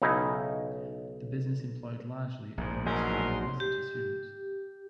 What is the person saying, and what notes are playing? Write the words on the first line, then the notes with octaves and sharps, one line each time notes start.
The business employed largely other Moscow university students.
B1 C#3 D#4 E4
A#1 G#2
E2 F#3 C#4 D#4 G#4 A#4 C6
G4